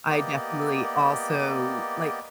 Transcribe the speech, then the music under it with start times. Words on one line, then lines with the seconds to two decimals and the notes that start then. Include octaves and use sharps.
I definitely also, like
0.08 A#3 B3 G4 D5 D#5